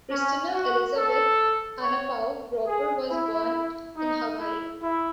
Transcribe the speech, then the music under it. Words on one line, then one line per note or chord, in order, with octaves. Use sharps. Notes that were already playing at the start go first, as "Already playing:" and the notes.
Kristina Elizabeth Anapau Roper was born in Hawaii.
C#4
F#4
A4
C#5
G#4
E4
D#4
E4
E4